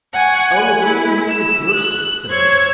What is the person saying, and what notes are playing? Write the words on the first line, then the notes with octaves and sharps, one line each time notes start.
'Oh, it's only an old fir-stump', said the man.
F#5 G#5 C#6
G#5 F#6
E4
E6
F#6
C5 C#5 E6 G#6